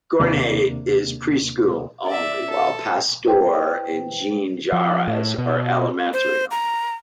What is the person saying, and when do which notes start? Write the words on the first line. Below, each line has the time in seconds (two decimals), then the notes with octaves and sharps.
Gournay is preschool only, while Pasteur and Jean Jaures are elementary only.
0.20 D#2 C3 A#3 D4
2.06 D5 E5
2.50 A4
3.25 E4 B4 C5 G5
4.72 F3
5.08 A2
5.38 B2
6.13 C5
6.51 A#5